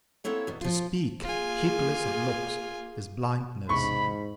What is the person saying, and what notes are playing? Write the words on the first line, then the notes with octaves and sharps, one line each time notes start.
To speak heedless of looks is blindness.
A#3 C4 E4 A4 C#5 F#5
E2 B2
F3 F4
A#3 F4 G#4 G#5
B1 E2 G#2 C3 B5 C#6